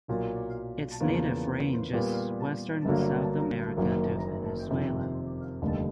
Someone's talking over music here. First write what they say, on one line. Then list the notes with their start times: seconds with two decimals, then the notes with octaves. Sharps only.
Its native range is western South America to Venezuela.
0.08 B1 A#2 F#3
1.00 E2 C#3 F3 A#3
1.93 A#2 G3 B3
2.85 G1 G2 D3 F#3 A#3
3.77 F#1 F#2 D#3 F#3 A#3
4.69 F2 C3 D#3
5.62 F1 D#2 D3 G3